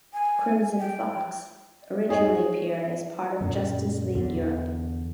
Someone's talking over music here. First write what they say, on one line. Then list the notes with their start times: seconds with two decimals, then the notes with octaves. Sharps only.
Crimson Fox originally appeared as part of Justice League Europe.
0.13 G#5
0.79 G5
2.09 D#4 G#4 C#5
3.41 F#2 A#2 D3
4.15 E2 D3